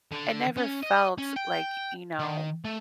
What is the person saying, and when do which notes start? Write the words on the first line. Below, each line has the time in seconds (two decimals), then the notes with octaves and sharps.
It never felt like, you know
0.11 D3
0.57 C#4
0.83 D#5
1.18 C#4
1.36 G5
2.19 D#3
2.65 A3